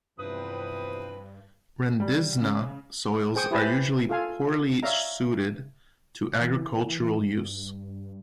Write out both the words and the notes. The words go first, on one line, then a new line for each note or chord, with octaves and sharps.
Rendzina soils are usually poorly suited to agricultural use.
E2 G2 C3 F3 C4 B4 D#6
G3
C#3
G#4 C5 G5 C#6 D#6
E4 G4 B4 C5 G#5 A5
F4 A4 F5 G#5
C#5 D5 E5 F5 A#5
E3
G2